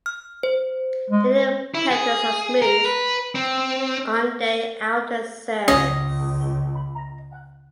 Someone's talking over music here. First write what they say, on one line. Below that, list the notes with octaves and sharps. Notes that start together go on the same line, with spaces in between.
The inner petals are smooth on their outer surface.
F6
C5
G#3
E4
G#4
A#4
B4
C4
C#2 C#4 D#5